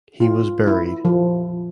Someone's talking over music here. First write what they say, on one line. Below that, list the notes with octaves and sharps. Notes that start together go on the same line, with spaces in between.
He was buried.
F4
E4
F3